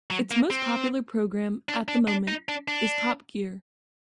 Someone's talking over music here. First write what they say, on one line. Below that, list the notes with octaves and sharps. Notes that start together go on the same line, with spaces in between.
Its most popular programme at the moment is "Top Gear".
F#3
A#3
C4
D4
D4
D4
D#4
D4
D4